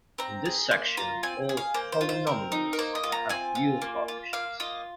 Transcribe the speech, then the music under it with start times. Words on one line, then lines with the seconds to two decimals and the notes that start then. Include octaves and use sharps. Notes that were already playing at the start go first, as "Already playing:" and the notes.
In this section, all polynomials have real coefficients.
0.18 C4 A#5
0.46 G#4
0.71 A#3 C6
0.97 F4 A#5
1.23 C4 G#5
1.49 G#4
1.57 F5
1.74 A#3 C5
1.92 C5
2.01 F4
2.09 C5
2.27 C4 A#4
2.52 D#4
2.73 A#4
2.79 A#3 C5
2.95 D#5
3.04 F4
3.12 A#5
3.29 C4 G#5
3.55 F4
3.82 A#3
4.08 F4
4.33 A#3 F5
4.60 F4 D#5